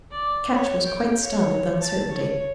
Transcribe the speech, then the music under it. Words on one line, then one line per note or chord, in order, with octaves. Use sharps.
Ketch was quite stunned with uncertainty.
D5
C#5
G5
C#5
A5
C#5